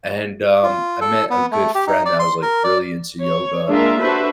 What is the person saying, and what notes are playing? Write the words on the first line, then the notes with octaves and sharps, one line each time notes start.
and, um, I met a good friend that was, like, really into yoga,
F4
A4
B3
A3
G4
D#4
D5
C6
A#4
D5
C#5
G#3 A#3 D4 F4 A#4 E5
D4 F#4 A4 B4 C5 E5